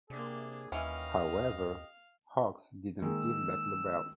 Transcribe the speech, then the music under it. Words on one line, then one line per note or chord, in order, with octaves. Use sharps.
However, Hawx didn't give back the belt.
C3 A#3 D4 G#4
D#2 E3 C#4 G4 D#5 F5
D#3 G#3 A#3 E6